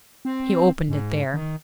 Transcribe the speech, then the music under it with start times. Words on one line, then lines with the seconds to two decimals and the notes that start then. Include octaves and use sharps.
He opened it there.
0.25 C4
0.89 G#2
1.34 D#3